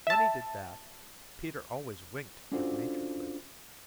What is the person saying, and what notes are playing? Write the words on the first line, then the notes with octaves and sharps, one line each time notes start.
When he did that, Peter always winked good-naturedly.
E5 A5
C#4 D4 F4 F#4 A4 C5